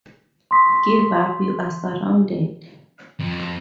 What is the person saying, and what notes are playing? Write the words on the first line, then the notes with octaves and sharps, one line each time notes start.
Give up, you are surrounded!
C6 C#6 D#6 B6
F2